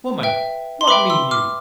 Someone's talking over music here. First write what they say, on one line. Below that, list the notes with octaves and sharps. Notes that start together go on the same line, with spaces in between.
"Woman, what mean you?"
B4 E5 G5
C6
B4 E5 G5 B5 D6
C6 E6
D6 F6